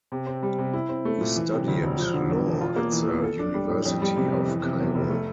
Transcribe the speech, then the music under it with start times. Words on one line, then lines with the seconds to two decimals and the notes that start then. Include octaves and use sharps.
He studied law at the University of Cairo.
0.12 C3
0.27 C4
0.43 G3
0.58 C3
0.73 E4
0.89 C4
1.05 A3
1.21 A#2
1.36 E3
1.52 C3
1.68 D2
1.83 E1
1.99 F3
2.14 D3
2.30 E2
2.46 E1
2.61 F4
2.76 A#3
2.92 E3
3.08 E2
3.23 A4
3.39 D4
3.54 G3
3.70 A2
3.85 F2
4.02 G3
4.17 C3
4.32 F2
4.48 E3
4.63 C3
4.79 E2
4.95 F1
5.10 A3